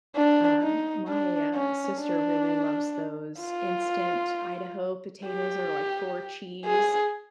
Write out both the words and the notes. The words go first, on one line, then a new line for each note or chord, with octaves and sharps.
Um, my, uh, sister really loves those instant Idaho potatoes, or like four cheese.
D4
D#4
D4
C#4
D4
F4
G4
G#4